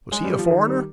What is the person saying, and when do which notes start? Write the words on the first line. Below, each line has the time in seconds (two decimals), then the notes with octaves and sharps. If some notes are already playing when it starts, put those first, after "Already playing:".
Was he a foreigner?
0.12 G#3
0.24 G3
0.38 F3
0.50 D#3
0.66 G3